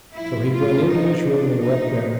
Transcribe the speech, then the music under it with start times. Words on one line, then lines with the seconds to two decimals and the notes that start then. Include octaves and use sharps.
So he went into his room and wept there.
0.15 A2 F3 E4
0.51 F4
0.88 B2 D#4
1.26 D4
1.62 A#2 F3 D#4